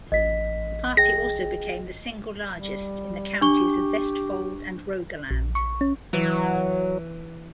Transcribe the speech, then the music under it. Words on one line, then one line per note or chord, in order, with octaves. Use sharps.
The party also became the single largest in the counties of Vestfold and Rogaland.
A1 D#5 B6
G#4 G5 A#6
G3
D4 G4 C#6 G7
A#1
C#6
C#4
E3 F#3